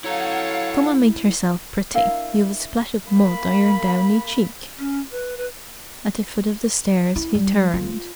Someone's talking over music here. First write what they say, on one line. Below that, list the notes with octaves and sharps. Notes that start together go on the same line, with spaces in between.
"Come and make yourself pretty: you've a splash of mud on your downy cheek." At the foot of the stairs he turned.
F#3 E4 A4 C#5 F5 F#5 A#5
D4 E4 A#4 F5
A#3 B5
C#4
B4
B4
E4
G3
F4